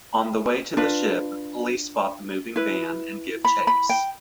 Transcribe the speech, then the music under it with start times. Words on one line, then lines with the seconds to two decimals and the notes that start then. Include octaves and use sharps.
On the way to the ship, police spot the moving van and give chase.
0.77 D4 F4 B4
2.56 E4 B4
3.45 B5
3.67 B5
3.89 G5